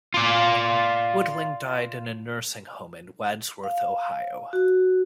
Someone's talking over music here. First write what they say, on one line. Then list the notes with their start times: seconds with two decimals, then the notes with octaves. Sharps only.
Woodling died in a nursing home in Wadsworth, Ohio.
0.14 F4 D5
3.64 F5
4.53 F#4